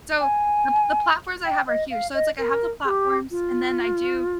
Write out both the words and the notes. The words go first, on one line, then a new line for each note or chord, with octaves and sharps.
So th the platforms I have are huge so it's like I have the platforms and then I do,
G#5
G5
D#5
F5
D#5
A#4
G#4
G4
F4